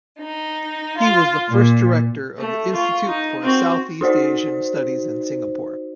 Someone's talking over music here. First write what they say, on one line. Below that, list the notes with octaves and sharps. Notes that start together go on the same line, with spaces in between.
He was the first director of the Institute for Southeast Asian Studies in Singapore.
D#4
F4
A#2
A3
F4 C#6
D#4
C4 F#4
D#4 F#4 C5 D5